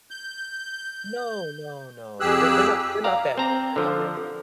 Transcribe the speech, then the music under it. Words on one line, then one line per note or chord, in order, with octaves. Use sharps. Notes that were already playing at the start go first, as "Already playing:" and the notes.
no, no, no. They're they're not they're not that good they're not that
G6
F2 G4 G#4 E6 F#6
D5 F5 A#5
C4 A#5
D3 F3